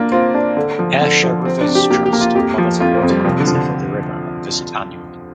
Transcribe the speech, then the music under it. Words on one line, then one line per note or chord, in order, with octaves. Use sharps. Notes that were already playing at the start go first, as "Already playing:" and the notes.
Ayrshire Rivers Trust monitor water quality for the river and visit annually.
Already playing: A#3 D4 F4
C4 F4
D4
D3
F3
D3
F3
C3 C4
D4
C3
G4
A#3 G4
G4
A#3
F4
F2 G4
F3
F2 F4
C4
F2
G3
C3 F3
D3
F3
D3